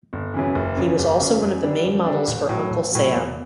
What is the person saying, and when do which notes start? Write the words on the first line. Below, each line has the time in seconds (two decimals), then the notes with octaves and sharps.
He was also one of the main models for "Uncle Sam".
0.13 G1
0.34 F#2 C#3 E3
0.55 F#1
0.77 F#2 C#3
0.99 F#1
1.20 F#2 C#3
1.42 F#2
1.63 D3 G3 D4
1.84 F#2
2.06 D3 G3 D4
2.27 A1
2.49 A2 F#3
2.70 A1
2.92 A2 F#3
3.13 E2